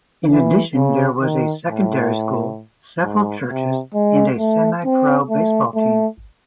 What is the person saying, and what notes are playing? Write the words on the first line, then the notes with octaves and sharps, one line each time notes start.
In addition, there was a secondary school, several churches, and a semi-pro baseball team.
E3
C#3
D#3
A2
G#2
C3
G#3
A3
C4
A3
A3